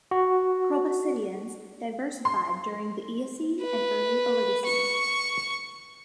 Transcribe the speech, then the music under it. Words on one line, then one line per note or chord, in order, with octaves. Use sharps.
Proboscideans diversified during the Eocene and early Oligocene.
F#4
C6
B4
C#6